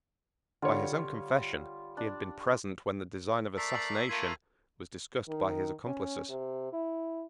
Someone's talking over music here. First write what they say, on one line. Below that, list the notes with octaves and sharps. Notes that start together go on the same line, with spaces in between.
By his own confession he had been present when the design of assassination was discussed by his accomplices.
D3 G3 F4 C#5
D4
A3 A#4 D5 E6 B6 C7
B6 C7 F#7
A3 A#3 F4 G#6 D#7
D#3
C#4
C3
E4